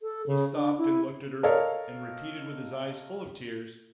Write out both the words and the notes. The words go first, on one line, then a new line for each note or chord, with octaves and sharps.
He stopped and looked at her, and repeated with his eyes full of tears.
A4
C#3
D4
E4
A4 A#4 C#5 D#5 F5